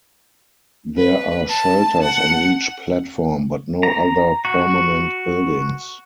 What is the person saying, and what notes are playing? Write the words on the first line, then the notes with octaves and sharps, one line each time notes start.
There are shelters on each platform, but no other permanent buildings.
B4
A5
F#5
A#5
F#4